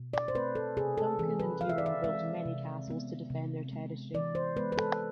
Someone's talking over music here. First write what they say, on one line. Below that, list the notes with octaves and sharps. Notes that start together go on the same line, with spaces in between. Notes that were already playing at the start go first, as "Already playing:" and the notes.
Duncan and Ewan built many castles to defend their territory.
Already playing: B2
D5
C5
A3 C4 B4
A4
C3 G#4
A4
E3 G#3 C4 G#4
B4
C3 F5
E5
D5
E5
E3 G#3 C4 E5
C3
G#3 B3
C3
G#3 B3
E3 D5
C5
G#3 B3 B4
B4
A4